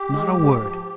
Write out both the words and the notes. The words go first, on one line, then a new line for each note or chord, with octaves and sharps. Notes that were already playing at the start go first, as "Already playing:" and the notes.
Not a word.
Already playing: G4
G#3
G#2
F3